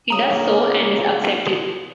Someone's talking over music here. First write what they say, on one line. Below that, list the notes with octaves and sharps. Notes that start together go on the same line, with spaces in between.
He does so and is accepted.
C#3 A#3 A#5 D#6